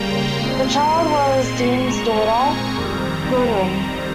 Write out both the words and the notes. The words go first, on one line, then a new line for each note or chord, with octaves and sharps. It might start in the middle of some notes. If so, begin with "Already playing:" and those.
The child was Diem's daughter, Gudrun.
Already playing: C#3 G3 A#3 G5 A#5
C6
A#2 G#3 C4 C6
A#2 G#3 C4 C#6
A#5
G#5
A#5
F2 D#3 G3 C4